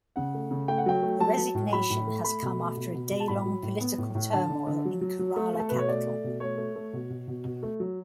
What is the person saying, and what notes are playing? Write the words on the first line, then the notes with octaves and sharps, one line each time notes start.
The resignation has come after a day long political turmoil in Kerala capital.
C#3 F#5
A3
C#3
A3 G5
F#5
F#3 G5
A3
F#3 A5
F#3
A2
F#3 B5
A2
A3
A3 B5
B2
A3
B2
B2
B2
A5
A2 B5
F#3
A2
B3
A2
A2
D3 A5
D3
D3
F#3
F#3
F#3
A3
A3
A4
B2 B4
C#5
A3 D5
A3
B2
A3 C#5
A3
A3
B2
B2
B2
B2
A3
F#3